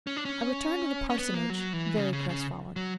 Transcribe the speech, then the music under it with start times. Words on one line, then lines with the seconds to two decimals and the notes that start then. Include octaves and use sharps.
I returned to the parsonage, very crestfallen.
0.07 C#4
0.17 D4
0.25 C#4
1.10 C#4
1.19 B3
1.34 A#3
1.50 F#3
1.73 E3
1.97 C#3
2.13 C#3
2.29 C#3
2.76 F#3